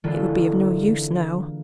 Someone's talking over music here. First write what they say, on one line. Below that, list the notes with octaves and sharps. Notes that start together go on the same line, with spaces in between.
It would be of no use now.
D3 E3 G#3 A#3 F4 A4